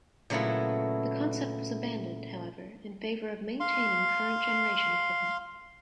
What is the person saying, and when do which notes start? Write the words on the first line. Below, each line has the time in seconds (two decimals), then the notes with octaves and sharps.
The concept was abandoned, however, in favor of maintaining current-generation equipment.
0.30 A#2 C#3 F#3 A3 B3 E4
3.60 F5 C6